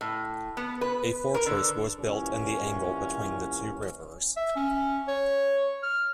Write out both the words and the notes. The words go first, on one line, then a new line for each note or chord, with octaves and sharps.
A fortress was built in the angle between the two rivers.
A2
B3
B4
A#4
D3
C2 A#2 E3 C#4
E5
C#4
C#5
F6